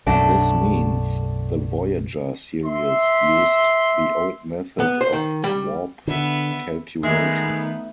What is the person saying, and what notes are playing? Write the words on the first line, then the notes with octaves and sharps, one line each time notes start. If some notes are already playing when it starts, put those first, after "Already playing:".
This means the "Voyager" series used the old method of Warp calculation.
B1 F#2 A3 D4 F#4
E5 C6
B3
C5
D#3
G3
D3 B3 E5
D#3 G#3 A3 B3 D#4 E5